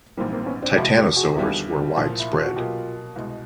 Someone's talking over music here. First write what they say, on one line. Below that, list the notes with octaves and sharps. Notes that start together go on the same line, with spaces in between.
Titanosaurs were widespread.
A#1 G#2 E3 G3 A#3 C4
A#3 C4
C4
B3 C#4
C4 D4
G4
F2 C3 F3 G#3 E4 F#4
F4 G4
F#4 G#4
D#2 D3 G3 B3 E4
C2 A#2 F3
E4
F4
F#4
B2 F#3 A#3 F4 G4
C2 B2 G#3